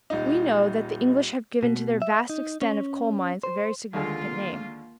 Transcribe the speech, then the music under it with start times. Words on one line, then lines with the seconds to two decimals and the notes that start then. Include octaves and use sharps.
We know that the English have given to their vast extent of coal-mines a very significant name.
0.10 D#1 D#4
1.63 B2
2.02 E5
2.30 D#4
2.62 C#4
3.43 C5
3.93 D#2 D3 G#3 A#3 F4